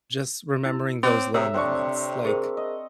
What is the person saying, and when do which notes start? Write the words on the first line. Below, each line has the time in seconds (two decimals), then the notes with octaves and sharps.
just remembering those little moments, like
0.64 E4 E6
1.03 C4 C#5 D6
1.34 C3 A4 C#5 E5 A#5 D#6 E6
1.54 C3 C4 D4 C#6
2.25 G#4 A#4 C5
2.57 D#5